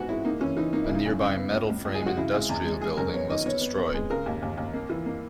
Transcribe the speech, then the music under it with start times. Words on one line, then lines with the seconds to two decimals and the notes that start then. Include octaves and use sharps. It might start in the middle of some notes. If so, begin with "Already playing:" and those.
A nearby metal-frame industrial building was destroyed.
Already playing: G#2 B3 F#4
0.09 G#3 E4
0.24 A#3 D#4
0.41 E3 C#4
0.57 E3 D#4
0.73 A#3 D#4
0.84 C#3 E4
0.95 D#4
1.05 F#2
1.21 C#3
1.37 B3
1.52 C#2
1.70 C#2
1.85 C#2
1.95 G#4
2.01 G#3 F#4
2.17 C#3 E4
2.33 G#3
2.49 E2
2.65 G#3
2.81 G#3 G#4
2.97 F#2 A#4
3.13 B3 C#5
3.30 D#3 D#5
3.45 B3 C#5
3.61 B3
3.78 B3
3.94 G#3
4.10 C#3 A#4
4.26 D#2
4.42 D#2
4.57 D#2
4.74 A#3
4.90 E3
5.06 A#3